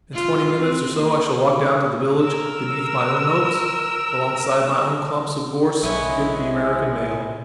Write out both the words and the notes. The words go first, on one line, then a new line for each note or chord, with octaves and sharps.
In twenty minutes or so I shall walk down to the village, beneath my own oaks, alongside my own clumps of gorse, to get the American mail.
F4
C4
A#3
A#4 E6
B1 G#3 B3 C#4 E4 E5